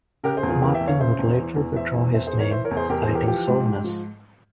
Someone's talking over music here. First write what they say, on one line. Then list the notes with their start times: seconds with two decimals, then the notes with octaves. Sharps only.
Martin would later withdraw his name, citing soreness.
0.24 C#3 G4 A#4
0.37 G#4 C5
0.43 E2
0.49 F4 G#4
0.62 E3 G4 A#4
0.75 E5 G5
0.80 E2
0.87 C#5 F5
0.99 C#3 C5 E5
1.19 E2
1.38 E3
1.56 E2
1.76 E3 C5 E5
1.94 E2
2.14 E2 C5 E5
2.27 G#4 C5
2.33 E3
2.39 A#4 C#5
2.51 E3 C5 E5
2.65 A#4 C#5
2.71 E2
2.77 G#4 C5
2.89 E2 G4 A#4
3.02 G#4 C5
3.09 E3
3.15 G4 A#4
3.27 F3 G4
3.47 G#2
3.66 G#2
3.84 F3